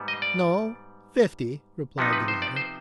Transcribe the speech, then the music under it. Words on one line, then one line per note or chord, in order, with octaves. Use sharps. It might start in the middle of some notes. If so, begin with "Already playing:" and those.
"No, fifty," replied the latter.
Already playing: G#2 G3 B3
D#5
D5
C3 F3 B3 D#4
B4
C5
D5
C5